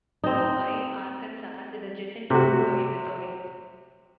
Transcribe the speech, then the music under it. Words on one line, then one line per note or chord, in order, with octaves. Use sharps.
Blue Eye, Arkansas, is adjacent to Blue Eye, Missouri.
C4 D#4
C3 F#4